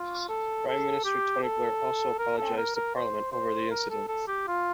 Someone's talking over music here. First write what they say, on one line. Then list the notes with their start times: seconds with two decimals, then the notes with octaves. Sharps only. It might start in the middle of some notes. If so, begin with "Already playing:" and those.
Prime Minister Tony Blair also apologised to Parliament over the incident.
Already playing: F4
0.29 A4
0.67 A4
1.05 G4
1.43 A4
2.19 A#4
2.37 A4
2.57 A#4
2.76 A#4
2.95 C5
3.32 C5
3.71 A#4
3.90 A4
4.08 A4
4.27 G4
4.47 F4